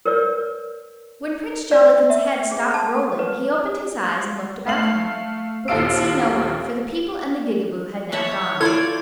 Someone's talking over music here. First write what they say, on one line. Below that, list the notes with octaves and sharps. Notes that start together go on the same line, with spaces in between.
When Prince Jollikin's head stopped rolling, he opened his eyes and looked about him, but could see no one; for the people and the Gigaboo had now gone.
A#4 B4 C#5 D5 E6
D5
E5
G#4
A5
B4
A3 F5 F#7
A#1 D#2 A4 F5 E6 D7
C#5 E5 F#5 A5
E4 F4 A4 C5 D5 G#6